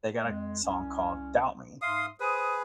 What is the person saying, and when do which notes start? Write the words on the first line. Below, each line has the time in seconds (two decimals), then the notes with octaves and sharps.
they got a song called Doubt Me.
0.22 F2 G#3
0.63 C2 C#4
1.82 G#2 E5 F5 C6 D#6
2.20 G#4 B4 C5 D#6